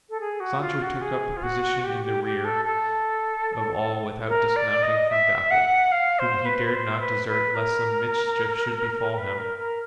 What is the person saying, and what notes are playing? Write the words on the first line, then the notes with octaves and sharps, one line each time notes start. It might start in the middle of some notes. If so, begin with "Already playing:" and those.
Sancho took up a position in the rear of all without dismounting from Dapple, whom he dared not desert lest some mischief should befall him.
A4
G#4
F#4
F4
F#4
G#4
F4
F#4
G4
G4
G4
A4
A4
A#4
D5
D#5
E5
F#5
F5
C5
B4
B4
C5
B4
B4
A#4
B4
A#4
A#4